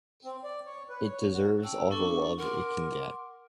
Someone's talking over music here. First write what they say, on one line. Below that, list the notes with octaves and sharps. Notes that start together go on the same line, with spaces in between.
It deserves all the love it can get.
C4
D5
C#5
B4
C#5
F#4
C#4 G5 A5 E6
B3 D4 A4 C#6
A#4 F#5 C6 D6